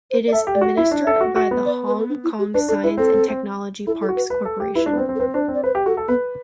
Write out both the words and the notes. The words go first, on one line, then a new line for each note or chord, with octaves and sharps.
It is administered by the Hong Kong Science and Technology Parks Corporation.
C5
D5
A4 E5
G4
D5
F#4
E4 E5
D4
A4 E5
F#4
F#4
B3
D5
B4
A4
D4
E4
G4
D4 B4
D4 A4
E4 B4
C4 A4
C4
C4
E4 A4
A4
F#4
B4
B4
A4
G4
E4 B4
D4
B3
C4 C5
C4
A4
C4 B4
D4 C5
C4
D5
B4 C5
G4
F#4 A4
A4
B3 B4